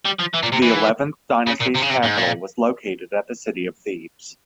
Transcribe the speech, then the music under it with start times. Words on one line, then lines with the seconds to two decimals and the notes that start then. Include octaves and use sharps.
The Eleventh Dynasty's capital was located at the city of Thebes.
0.06 G3
0.20 F3
0.34 E3
0.43 A#2
0.52 C3
0.62 E3
1.47 C#3
1.60 A#2
1.75 C3
1.82 C#3
1.90 C3
2.03 G#2
2.17 A#2